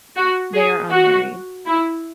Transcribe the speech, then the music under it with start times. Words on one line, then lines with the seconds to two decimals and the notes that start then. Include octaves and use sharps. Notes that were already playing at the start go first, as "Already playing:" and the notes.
They are unmarried.
0.16 F#4
0.54 G#4
0.91 F#4
1.66 E4